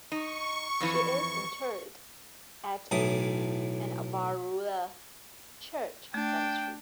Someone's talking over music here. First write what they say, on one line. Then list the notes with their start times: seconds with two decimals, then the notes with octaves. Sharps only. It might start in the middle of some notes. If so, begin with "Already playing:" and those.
She is interred at an Avarua church cemetery.
0.12 D#4 C#6
0.80 F2 E3
2.91 B1 A2 E3 D#6
6.14 A3 D4 G5